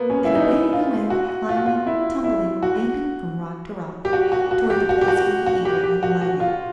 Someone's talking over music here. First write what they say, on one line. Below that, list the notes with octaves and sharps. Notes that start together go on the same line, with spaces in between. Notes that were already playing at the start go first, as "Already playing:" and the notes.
And away he went, climbing, tumbling, leaping from rock to rock, toward the place where the eagle had alighted.
Already playing: A#3 B3
C#4
E4
D#4
F4
F#4
F4
F#4
F4
E4
E4
F#4
G4
F#4
F#4
F#4
G4
F#4
G4
F#4
F#4
G4
G4
F#4
F#4
F4